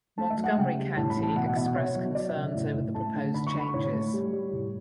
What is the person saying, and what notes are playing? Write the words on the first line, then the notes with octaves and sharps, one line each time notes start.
Montgomery County expressed concerns over the proposed changes.
A3 A5
E5
F#3
F#5
C#3 G5
G3
A2 A5
B5
E3
A5
B2 F#5
F#5
B2 E5
F#5
B2 C#5
F#3
F#3 D5
E5
C#3
A2
A2
A3 A5
D3
D3 B5
C#6
D3
B5
A2 C#5
A3
G3
G3
A2